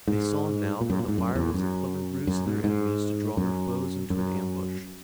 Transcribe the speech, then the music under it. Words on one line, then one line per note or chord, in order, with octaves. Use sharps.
They saw now that the fire was a clever ruse of their enemies to draw their foes into an ambush.
G#2
A#2
F#2
A#2
G#2
F#2
E2
F#2
F#2
G#2
G#2
F#2
F#2